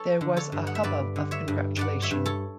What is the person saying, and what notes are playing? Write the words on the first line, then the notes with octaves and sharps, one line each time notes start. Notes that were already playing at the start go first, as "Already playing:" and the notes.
There was a hubbub of congratulation.
Already playing: A4 C#5
D3
A4 C#5
G2
F#5
E5
G2 B4 D5
D3
C#5 E5
G2
G2 D5 F#5
C#5 E5
G2
A4 C#5